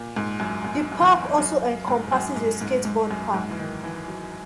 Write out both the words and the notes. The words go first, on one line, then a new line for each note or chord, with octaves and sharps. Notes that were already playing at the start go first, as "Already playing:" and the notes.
The park also encompasses a skateboard park.
Already playing: A#2
G#2
F#2
F#2
F#2
E2
F#2
G#2
F#2
G#2
G#2
G#2
F#2
G#2
E3
D#3
E3
F#3